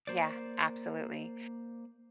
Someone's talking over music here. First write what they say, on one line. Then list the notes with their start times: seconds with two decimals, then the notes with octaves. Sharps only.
Yeah, absolutely.
0.07 A#3 C5 D5